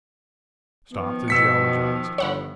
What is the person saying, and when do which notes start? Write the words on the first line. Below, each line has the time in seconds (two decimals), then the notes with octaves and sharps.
Stopped and geologised.
0.92 D#3 F3 B3
1.28 B2 E6 B6 C#7
2.18 G1 C#5 F#5 B5